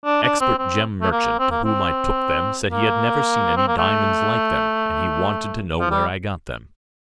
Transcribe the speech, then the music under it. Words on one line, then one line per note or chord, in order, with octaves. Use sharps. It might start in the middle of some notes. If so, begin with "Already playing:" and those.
An expert gem merchant, to whom I took them, said he had never seen any diamonds like them, and he wanted to know where I got them.
D4
D4
C4
C4
A3
A#3
C4
A#3
C4
A#3
C4
A#3
A3
F3
G3